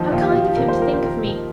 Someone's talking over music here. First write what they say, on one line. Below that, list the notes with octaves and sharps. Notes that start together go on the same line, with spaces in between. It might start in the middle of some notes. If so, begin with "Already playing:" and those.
'How kind of him to think of me!
Already playing: D#2 F3 D#4
D#2 F4
G4
D#2 F4
D#2 A#4
C5
F3 A#4
C5
D#2
A#4
D#2